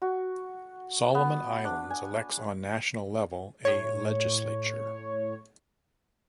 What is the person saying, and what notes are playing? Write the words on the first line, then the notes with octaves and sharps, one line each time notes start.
Solomon Islands elects on national level a legislature.
F#4
B3
D4
G#5
A2 C#5